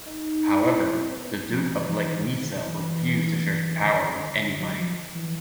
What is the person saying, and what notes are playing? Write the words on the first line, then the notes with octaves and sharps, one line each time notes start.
However, the Duke of Legnica refused to share the power with anybody.
D#4
E4
E4
C4
B3
F3
E3
F3
E3
D#3
D3
D#3
E3
D3
D#3
D3
D3
F#3
F3
E3